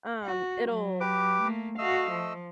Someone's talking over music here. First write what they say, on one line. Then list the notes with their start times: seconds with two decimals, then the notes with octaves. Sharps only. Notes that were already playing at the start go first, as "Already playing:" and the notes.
um, it'll,
0.24 F#4
0.70 F#3
1.00 G4 B4 D6
1.41 A3 A#3
1.78 A3 F#4 D#5 F5 E6
2.11 F3